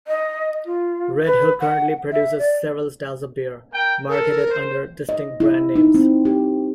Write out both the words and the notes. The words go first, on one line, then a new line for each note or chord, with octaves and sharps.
Redhook currently produces several styles of beer, marketed under distinct brand names.
D#5
F4
B4
F#5
E5
D5
A#4 G5
A4 A#4
C5
D#5
E4
D#4
C4
G4